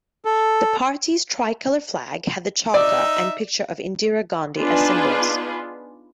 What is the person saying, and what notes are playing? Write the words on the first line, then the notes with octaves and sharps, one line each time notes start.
The party's tricolour flag had the charkha and picture of Indira Gandhi as symbols.
A4
D#4 D5 E5
B3 D4 D#4 F4 G#4 B4